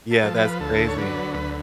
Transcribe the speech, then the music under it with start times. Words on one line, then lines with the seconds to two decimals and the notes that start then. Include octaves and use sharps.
Yeah. That's crazy.
0.11 A4
0.23 F3
0.36 B4
0.60 D2 A4
0.88 C#5
0.98 D3 F#3 B4
1.34 D2 B4